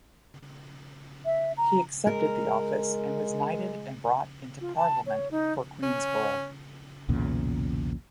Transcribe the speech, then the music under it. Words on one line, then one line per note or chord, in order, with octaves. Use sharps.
He accepted the office, and was knighted and brought into parliament for Queenborough.
E5
A#5
G#3 A#4
F4
A5
C#5
D#4
C#4
B1 E2 A#2 C#3